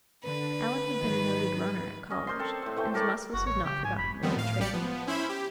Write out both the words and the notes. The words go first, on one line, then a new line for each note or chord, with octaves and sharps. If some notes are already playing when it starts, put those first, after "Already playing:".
Alan had been a noted runner at college and his muscles had not forgotten their old training.
D3 B4
G#2 D#3 F#3
C#4 D#5
A#4 C5 D5 C6
C4 A4
A2 C5
E3 A3 G5
A4 A#4 C#5 D5
F#1 F#4
A1 C#5
C#3 G4
G#2 G#5
F1 B5
D#3 F3 G3 B3 C4
A2 F5
A1 G3 G4 D5 C#7
F3 B3
C#4 E4 C5 E5 B5
G4